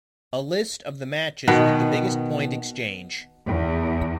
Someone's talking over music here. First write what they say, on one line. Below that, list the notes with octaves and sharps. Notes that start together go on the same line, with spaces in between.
A list of the matches with the biggest point exchange.
B2 D#3 B3
E2